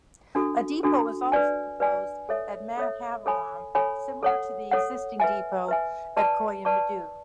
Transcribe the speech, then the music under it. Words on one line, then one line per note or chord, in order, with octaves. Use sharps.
A depot is also proposed at Madhavaram similar to the existing depot at Koyambedu.
D4 F#4 A4
D4 F#4 A4
B4 D5 G#5
B4 D5 G#5
A4 C#5 E5
A4 C#5 E5
A4 C#5 G#5 B5
A4 C#5 G#5 B5
A4 C#5 F#5
A4 C#5 F#5
B4 E5 G#5
B4 E5 G#5
B4 D5 A5 C#6
B4 D5 A5 C#6